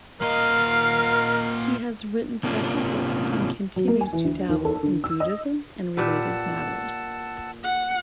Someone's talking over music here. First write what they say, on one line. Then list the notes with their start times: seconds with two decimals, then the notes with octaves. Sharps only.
He has written several books and continues to "dabble in Buddhism and related matters".
0.22 A#2 A#4 D#5 F5
2.43 G#2 C3 A#3 C#4 D4 F4
3.76 F#3
3.88 A#3
4.01 G#5
4.13 E3
4.24 D2
4.49 D#2
4.65 A4
4.83 D3
5.04 E6
5.20 D#5
5.97 A#2 G4 B4 F#5 A5 E6
7.64 F#5